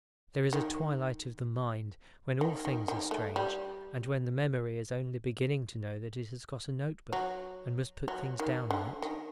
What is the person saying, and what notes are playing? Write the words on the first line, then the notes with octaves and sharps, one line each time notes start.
There is a twilight of the mind, when all things are strange, and when the memory is only beginning to know that it has got a notebook, and must put things down in it.
D#3
D#3
D#3
D#3
A3
G3
F#3
F#3
D#3
D3
D#3